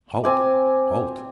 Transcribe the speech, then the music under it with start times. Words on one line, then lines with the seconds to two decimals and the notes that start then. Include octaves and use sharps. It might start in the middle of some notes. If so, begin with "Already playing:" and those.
"Halt! halt!"
0.24 C4 G#5 D6